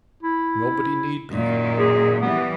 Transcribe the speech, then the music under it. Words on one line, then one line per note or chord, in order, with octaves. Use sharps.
'Nobody need be.
E4
F#2 A#2 D#3
G#4
E3 G3 B3